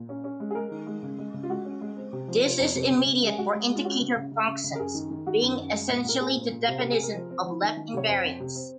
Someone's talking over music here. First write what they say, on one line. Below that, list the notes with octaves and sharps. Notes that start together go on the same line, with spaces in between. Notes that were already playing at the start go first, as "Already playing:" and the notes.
This is immediate for indicator functions, being essentially the definition of left invariance.
Already playing: A#2
C#4
C#4
G#3
G#4
G#3 A#4
D#3
G#3
C#3
G#3
C#3
F4
G#3 F#4
C#4
G#3
C4
C3
F3
C3 F4
F2
C3
C#3
C#3
G#3 G#4
G#3 F#4
G#3
G#3
F4
C#4 F#4
C#3
C#3
C#3
C#3
C#3
A#4
F#2 G#4
D#3
D#3
D#3 F#4
F#2
F#2
G#3
A#2
A#2 A#4
A#2 G#4
A#2
A#2
C3 C5
C3 A#4
G#4
C3 A#4
F3
C4
F3
D#3
D#3
C3 C#5
F2 C5
F2
C3
C4